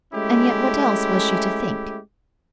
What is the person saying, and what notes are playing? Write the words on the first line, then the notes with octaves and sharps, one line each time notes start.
And yet what else was she to think?
G#3 A3 C#4 E4 G4